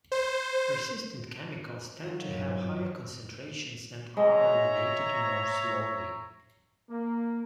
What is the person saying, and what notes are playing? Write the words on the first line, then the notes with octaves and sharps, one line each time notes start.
Persistent chemicals tend to have higher concentrations and are eliminated more slowly.
C5
D#3 F#3 G#3 F4
G2
G#3 C#5 E5 A#5
A#3